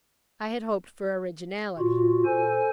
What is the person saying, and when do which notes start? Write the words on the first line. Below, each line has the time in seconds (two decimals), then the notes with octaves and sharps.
I had hoped for originality.
1.79 A#2 F4 F#4
2.25 A4 C5 G#5